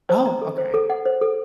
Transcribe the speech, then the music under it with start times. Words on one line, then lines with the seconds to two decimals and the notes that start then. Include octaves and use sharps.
Oh, okay,
0.10 C5
0.26 A#5
0.42 A4
0.58 C5
0.74 A4
0.90 F#5
1.05 C5
1.21 A4